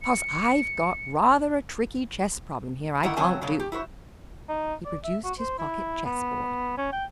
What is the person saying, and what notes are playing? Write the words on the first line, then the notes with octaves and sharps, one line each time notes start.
"Because I've got rather a tricky chess problem here I can't do." He produced his pocket chess-board.
C#7
D3 D#3 A#3 E4 F#5 G5
C#3 F#3 G3 C4 G#5 A5
C#3 F#3 G3 A#3
G4
E4 F#4 B4 C5
D#4
D5
E5
F#4
C5
E4
B3
C#4
G5